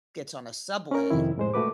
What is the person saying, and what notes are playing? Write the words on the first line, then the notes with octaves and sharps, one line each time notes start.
gets on a subway
C#4 A#4
F2 C3 D#3 E4
A2 G#3 C5
A#2 A3 F#4 B4 D6